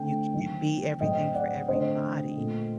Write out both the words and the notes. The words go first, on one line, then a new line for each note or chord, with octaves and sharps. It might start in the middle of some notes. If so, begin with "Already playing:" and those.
You can't be everything for everybody.
Already playing: D3 A3 C4 G5
D#3 F#3 C4
A2 F#3 C4 D#5 G5
D5 F#5
D3 A3 C4 C5 D#5
A#2 A3 C4